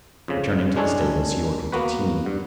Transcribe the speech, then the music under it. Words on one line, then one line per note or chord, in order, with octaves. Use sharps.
Returning to the stables, he ordered the team.
F2 C#3
C2 G#3 C#4 D4 A4 C#5
A#3 B3 F#4 B4
G2